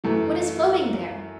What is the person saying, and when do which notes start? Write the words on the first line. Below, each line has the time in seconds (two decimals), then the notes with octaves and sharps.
"What is floating there?"
0.04 F#2 E3 A3